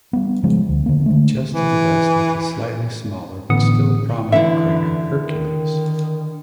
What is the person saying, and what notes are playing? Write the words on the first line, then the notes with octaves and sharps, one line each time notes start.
Just to the west is the slightly smaller but still prominent crater Hercules.
G3 B3
C#3 F3 G#3
D2
D3 A#3
D3 G#3 A3
E3
A1 A2 D3 B3 D#6 C#7
D3 E3 E4 E5
D#3